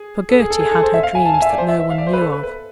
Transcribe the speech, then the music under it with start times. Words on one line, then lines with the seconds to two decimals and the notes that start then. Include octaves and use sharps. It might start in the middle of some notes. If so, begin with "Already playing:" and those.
For Gerty had her dreams that no-one knew of.
Already playing: G#4
0.29 A4
0.39 G#4
0.50 A4
0.61 G#4
0.71 A4
0.83 C5
0.94 E5
1.03 F5
1.15 G#5
1.25 A5
1.34 G#5
1.42 E5
1.50 D5
1.58 C5
1.69 E5
1.80 E5
1.90 F5
1.98 D5
2.07 C5
2.13 B4
2.21 A4
2.33 B4
2.43 B4